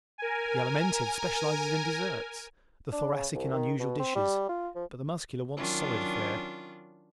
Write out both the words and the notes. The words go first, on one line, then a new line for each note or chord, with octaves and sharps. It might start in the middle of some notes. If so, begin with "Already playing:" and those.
The Alimentive specializes in desserts, the Thoracic in unusual dishes, but the Muscular wants solid fare.
A#4 G#5
D4
C#3
C2
D#3
B2
C4
G3
F4
F3
D#3 F#3 C#4 D4 F4